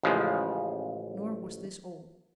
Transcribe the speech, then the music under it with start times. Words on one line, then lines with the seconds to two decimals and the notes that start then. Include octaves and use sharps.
Nor was this all.
0.03 A1 C#3 F3 G#3